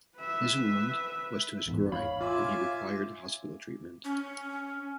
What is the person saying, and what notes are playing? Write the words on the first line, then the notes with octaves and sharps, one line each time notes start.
His wound was to his groin and he required hospital treatment.
B4 E5
A1 E2 G#2
C#5 F5 B5
F4 E5 G#5 D6
C#4